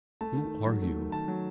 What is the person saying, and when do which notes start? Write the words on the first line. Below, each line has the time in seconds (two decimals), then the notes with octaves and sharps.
Who are you?
0.21 A3 A5
0.36 D#3
0.51 D#3
0.67 F#3
0.82 A3
0.97 D#3
1.12 D#3 A5
1.28 F#3